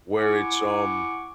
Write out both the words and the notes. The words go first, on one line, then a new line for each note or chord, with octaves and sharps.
where it's, um
E4 F#5 G#5 C#6 D6